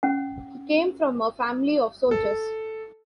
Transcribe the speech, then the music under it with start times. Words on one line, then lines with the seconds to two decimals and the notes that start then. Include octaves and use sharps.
He came from a family of soldiers.
0.03 C#4 F#5
2.11 A4